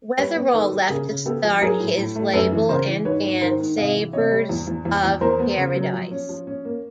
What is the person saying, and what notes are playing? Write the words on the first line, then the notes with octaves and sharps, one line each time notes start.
Weatherall left to start his label and band Sabres of Paradise.
G3 B4 C#5
B3
D#3 A4 B4
G3
C#3 G#4 A#4
C#3
B3 G4 A4
F3
F#3 G#4 A#4
A2
A2
A3
F#2 A4 B4
E3
C#3 A#4 C5
E3
G#2 B4 C#5
G#2
D#3 A#4 C5
G#2
C3 D#5 F5
E3
C3 C#5 D#5
G3
E2
E2
E2
E2
E2 A#4 C5
B3
C#3
F#3
F3
C#4
F3
C#4
A#3